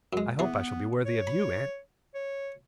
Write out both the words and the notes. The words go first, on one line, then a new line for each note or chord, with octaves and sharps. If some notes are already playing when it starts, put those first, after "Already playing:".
'I hope I shall be worthy of YOU, aunt.
F#2 G#3
E3 B3 G#4
C#5
B5
C#5